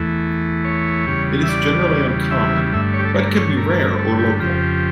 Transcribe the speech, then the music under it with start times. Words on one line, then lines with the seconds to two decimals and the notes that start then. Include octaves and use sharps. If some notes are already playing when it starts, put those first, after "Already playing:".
It is generally uncommon but can be rare or local.
Already playing: E2 E3 A3
0.65 C#5
1.07 E2 C#3 G3
1.43 E5
1.49 D5
2.31 E5
2.73 G2 D3 A3 E5
2.94 C#5
2.99 G4
3.05 A4
3.14 A#4
3.36 C#5
3.57 A#4
3.99 A4
4.19 G4
4.40 F2 C#3 F3 G4